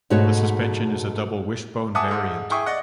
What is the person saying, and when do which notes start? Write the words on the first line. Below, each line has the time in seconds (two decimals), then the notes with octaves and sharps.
The suspension is a double wishbone variant.
0.10 G#2 B2 A3 F#4 C#5
1.95 E5 F#5 G#5 A5 D6 D#6
2.08 G#2 A4
2.50 E4 G#4 G5 C#6 D#6
2.66 D5 D#5 F#5